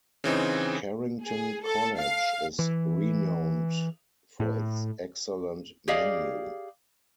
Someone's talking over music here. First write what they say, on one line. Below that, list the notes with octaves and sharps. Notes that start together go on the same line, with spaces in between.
Carrington College is renowned for its excellent menu.
C#3 E3 C4 D#4
G#4
A4
F5
E3
A2
G4 G#4 D5 D#5 F5